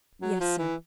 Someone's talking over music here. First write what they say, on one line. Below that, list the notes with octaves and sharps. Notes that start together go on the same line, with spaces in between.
"Yes, sir."
F#3
F3
E3